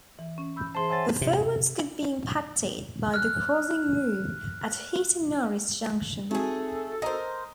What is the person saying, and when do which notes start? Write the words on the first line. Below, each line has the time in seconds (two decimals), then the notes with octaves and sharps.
Performance could be impacted by the crossing move at Heaton Norris Junction.
0.19 E3
0.38 C#4
0.56 B5 E6 G6
0.75 E3 G#4 C5 A5 C6
0.90 C5 C#5 E5 F#5 G#5 A6
1.21 C3
3.14 F6 F#6
6.31 A3 C4 D#4 F#4 G#4 A4
7.02 A#4 C5 D#5